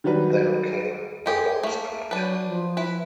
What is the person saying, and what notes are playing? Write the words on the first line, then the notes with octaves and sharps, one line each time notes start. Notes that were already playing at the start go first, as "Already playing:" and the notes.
Then came the long street.
D#3 F#3 G3 F#4 B4
G#3 G4 G#4
A3 A#3
F#3 D4 B4
F3
E4 B4